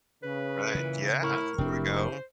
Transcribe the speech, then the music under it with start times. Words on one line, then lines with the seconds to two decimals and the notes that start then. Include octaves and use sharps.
Right. Yeah. There we go.
0.23 C#3 B4
0.75 F#2 A#2 C#3 E3
1.22 A2 E4 A#4 C#6 F6
1.58 F1 E2 C4 D4 E4 G4
1.95 C5